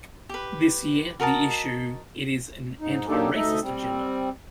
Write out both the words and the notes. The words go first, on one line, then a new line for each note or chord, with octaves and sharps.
This year, the issue it is an anti-racist agenda.
G4 B4
F#4 A#4 D#5 A5
G#2 D#4
F#3 A#3 D4 D#4 G4 A4
D2 D#4 A4 D#5 E5
G3 C4